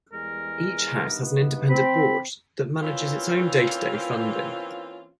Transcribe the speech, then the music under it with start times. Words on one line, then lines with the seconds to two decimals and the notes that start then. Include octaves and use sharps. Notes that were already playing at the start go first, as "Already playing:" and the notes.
Each House has an independent board that manages its own day-to-day funding.
0.13 E2 G3 G#3 A#4
1.01 G2 D#3 B3
1.70 C4 B5
2.81 E3 A#3 C4 C#4 F4